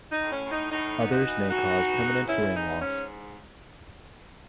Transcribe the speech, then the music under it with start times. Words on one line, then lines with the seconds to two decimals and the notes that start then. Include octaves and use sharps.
Others may cause permanent hearing loss.
0.12 D#4
0.19 A2
0.32 C#4
0.45 A2
0.51 D#4
0.71 A2 D#4
0.97 B3
1.11 D#4 F#4
1.24 E3
1.50 E3 D#4 F#4
1.77 B3
2.02 G#2
2.28 E3 C#4 E4
2.55 G#2 D#4
2.81 G#2 C#4